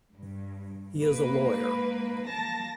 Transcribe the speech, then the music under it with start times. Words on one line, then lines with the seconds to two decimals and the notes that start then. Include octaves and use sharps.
He is a lawyer.
0.15 G2
1.03 G#2 A#3 B4
2.27 A#3 A5 A#6